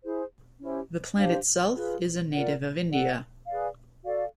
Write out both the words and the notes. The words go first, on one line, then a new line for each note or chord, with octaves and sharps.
The plant itself, is a native of India.
E4 G#4 C5
C#4 E4 G4 C5
D4 G4 C5 F5
F4 G#4 B4
F4 A#4 D5 F#5
A4 D5 F#5
G#4 B4 D5 F5
F#4 A4 D5 F5